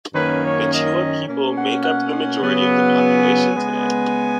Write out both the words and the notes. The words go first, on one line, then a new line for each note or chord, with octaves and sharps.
The Chewa people make up the majority of the population today.
F#2 D#3 A#3 C#4 B4
C#5
D#5
B2 A#3 C#4
F#5
F#5
F#5
C#3 F#3 B3
G#5
C#3 G#3 B3